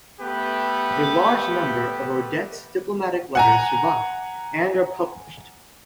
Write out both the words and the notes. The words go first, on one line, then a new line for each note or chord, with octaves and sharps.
A large number of Odet's diplomatic letters survive and are published.
A3 B3 G4 B4
F#5 G#5 A#5